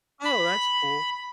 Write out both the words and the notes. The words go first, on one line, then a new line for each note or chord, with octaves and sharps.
Oh, that's cool.
B5